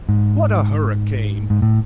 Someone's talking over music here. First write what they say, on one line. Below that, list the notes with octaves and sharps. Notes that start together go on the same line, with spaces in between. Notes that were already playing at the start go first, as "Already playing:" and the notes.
What a hurricane!
G#2
G#2
A2